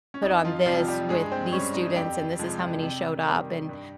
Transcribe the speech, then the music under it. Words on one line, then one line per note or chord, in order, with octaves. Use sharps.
"put on this with these students, and this is how many showed up, and,"
C#4
F2 D#4
F3 F4
C3 F3 G3 F4
G3 G4
G2 G#3 G#4
C4 C5
G3 C#4 C#5
D#4 D#5
F2 G4 G5
C3 F3 G#3
C3
D#3 G3
G2